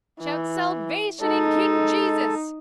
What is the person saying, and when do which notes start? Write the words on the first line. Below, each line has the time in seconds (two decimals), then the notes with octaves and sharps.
Shout salvation in King Jesus.
0.21 E3
1.21 G#3 D#4 A4 A5